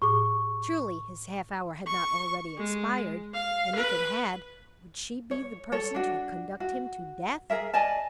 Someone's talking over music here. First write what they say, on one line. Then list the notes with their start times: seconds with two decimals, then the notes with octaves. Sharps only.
Surely, his half-hour had not already expired; and if it had, would she be the person to conduct him to death?
0.02 A2 G#4 C#6 D6
1.87 C#6
2.57 G#3
3.34 F5
3.75 B4
5.31 C#5
5.72 A4 C#5
5.94 D4 F#4
6.60 F#4
7.50 G#4 A#4 E5
7.74 D5 D#5 G#5 A5